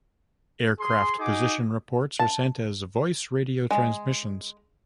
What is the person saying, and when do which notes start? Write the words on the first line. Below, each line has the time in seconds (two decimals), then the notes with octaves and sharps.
Aircraft position reports are sent as voice radio transmissions.
0.81 G#4 C6
1.20 D#4 F#4 G#4 D6
2.19 A5
3.70 G#3